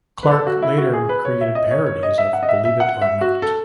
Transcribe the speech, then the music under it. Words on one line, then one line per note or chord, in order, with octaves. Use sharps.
Clarke later created parodies of Believe It or Not!
B4
A4
F#4
E4
F#4
G#4
B4
C#5
E5
D#5
C#5
C#5
D#5
E5
F#5
D#5
E5
E5
F#5
E5
F#4
A4